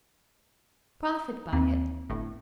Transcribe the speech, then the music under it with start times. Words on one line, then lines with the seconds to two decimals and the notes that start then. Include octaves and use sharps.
Profit by it.
1.53 D#2 C4
2.09 G1 A2